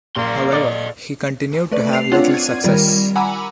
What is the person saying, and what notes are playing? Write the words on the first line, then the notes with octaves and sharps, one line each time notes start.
However, he continued to have little success.
A#1 F#2 A#3 C6
A4 D5 D#5
A3 B4 D5
C7 F7
C4 D4 F4 C#5 D5 F#5
G#6 D#7
D#3 G3 F4 A#4
F#5 G#5 A#5 B5 D6 E6